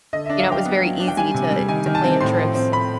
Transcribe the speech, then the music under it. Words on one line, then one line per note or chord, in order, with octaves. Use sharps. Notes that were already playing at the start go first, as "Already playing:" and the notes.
you know, it was very easy to to plan trips
D3 D#5
D4 E5
F5
F#3 G5
B3
F#3
D4
G5
G3 G#5
C3
G3
D#3 G#5
D#3
A5
C4
A2 C6
F3
C4
C4 B5